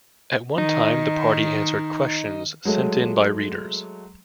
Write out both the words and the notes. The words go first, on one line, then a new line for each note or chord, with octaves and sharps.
At one time, the party answered questions sent in by readers.
D#3 D#4
F#3 G#3 A3